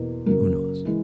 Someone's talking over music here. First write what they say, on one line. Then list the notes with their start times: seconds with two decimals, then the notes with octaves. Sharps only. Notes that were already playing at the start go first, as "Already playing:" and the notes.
Who knows?
Already playing: E2 B2 A#3
0.26 F#2 C#3 F#3 A#3 A#4
0.85 E3 G#3